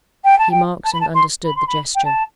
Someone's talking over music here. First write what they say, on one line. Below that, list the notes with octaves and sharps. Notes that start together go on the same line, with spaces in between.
He marked and understood the gesture.
G5
A5
G5
A5
B5
A5
C6
B5
C6
B5
G5
A5